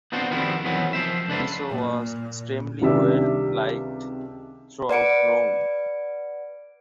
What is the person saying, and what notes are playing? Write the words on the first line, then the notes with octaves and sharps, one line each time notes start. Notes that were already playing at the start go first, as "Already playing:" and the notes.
Piso was extremely well liked throughout Rome.
B3 C4 D4 F4 F#4 C5
D#3 F3 G3 B3 C4 E4
B2 D#3 E3 F#3 B3 C4
F3 C5 E5
C#2 D4 A4 B4 C5
A#2
C#2 C3 D#3 G3 D4 E5
B4 D5 F#5 C#7 D7